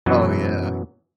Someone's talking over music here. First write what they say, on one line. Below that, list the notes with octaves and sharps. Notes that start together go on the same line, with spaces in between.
Oh, yeah.
F#2 B2 E3 F#3